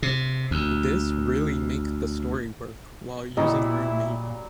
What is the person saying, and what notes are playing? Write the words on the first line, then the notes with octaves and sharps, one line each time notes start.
This really make the story work while using real meat.
C3
D2
A#2 F#3 G3 E4 D#5